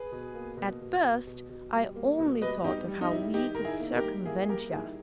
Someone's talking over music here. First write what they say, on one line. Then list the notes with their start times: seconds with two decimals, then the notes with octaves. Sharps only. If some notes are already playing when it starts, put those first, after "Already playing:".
At first, I only thought of how we could circumvent yah.
Already playing: G#4 B4
0.12 B2
0.34 A#3
0.57 B2
0.81 B2
1.04 B2
1.27 B2
1.49 B2
1.73 G3
1.96 A#3
2.19 B2
2.41 G3 B4 D#5
2.64 G3 D#4 G4
2.88 G3
3.01 D#4
3.11 D#3 E4
3.34 D#3 D#4 G4
3.55 D#3 A#4
3.65 E4 G#4
3.80 A#3
3.95 G4 A#4
4.04 G3
4.26 A#3 E4 G#4
4.42 G#4
4.49 G3 G4 A#4
4.72 D#3 E4 G#4